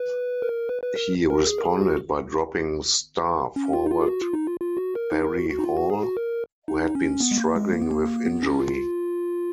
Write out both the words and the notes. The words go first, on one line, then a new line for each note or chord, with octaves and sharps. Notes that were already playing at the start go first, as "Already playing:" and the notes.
He responded by dropping star forward Barry Hall, who had been struggling with injury.
Already playing: B4
A#4
B4
B4
A#4
A#4
G#4
A#4
G#4
F#4
C#4
F4
D#4
F4
G#4
F#4
F4
D#4
F4
F4
F#4
A#4
D#4
A#4
F#4
F#4
D#4
F4
F#4
G#4
F#4
A#4
D#4
C#4
B3
G#3
A#3
G#3
A#3
B3
A#3
B3
C#4
F4